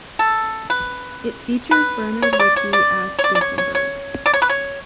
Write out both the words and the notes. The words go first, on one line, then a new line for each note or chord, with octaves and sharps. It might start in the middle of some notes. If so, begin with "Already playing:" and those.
It features Bernhard Wicki as Stauffenberg.
A4
B4
B4
C#5
C#5
D5
C#5
D5
C#5
D5
D5
C#5
C#5
C#5
D5
C#5
B4
C#5